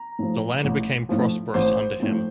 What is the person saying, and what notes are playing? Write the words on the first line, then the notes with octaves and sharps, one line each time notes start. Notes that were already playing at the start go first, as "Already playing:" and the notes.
The land became prosperous under him.
Already playing: A#5
A2 F3
A1
A2 F3
A1 C5
A2 F3